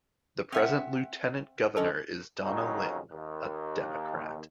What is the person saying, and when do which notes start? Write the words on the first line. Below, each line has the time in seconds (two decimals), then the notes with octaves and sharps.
The present lieutenant governor is Donna Lynne, a Democrat.
0.52 C4 E5 F#5
1.77 D3 C#4 A4 D#5
2.44 F2 C#3 F#3 D#4 A#4
3.12 D#2